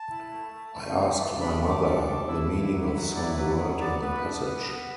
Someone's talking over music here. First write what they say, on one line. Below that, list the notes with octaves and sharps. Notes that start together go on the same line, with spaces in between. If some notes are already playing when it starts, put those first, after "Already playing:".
I asked my mother the meaning of some word in the passage.
Already playing: A5
E4
A3
A3
A3
A3
D4
A3 B5
A3
D6
D4
D6
D4
E4 E6
E4
D6
F#3
B5
F#3
E4 D5
F#3 B4
B3
B3 D5
B3 B4
D4
B3
B3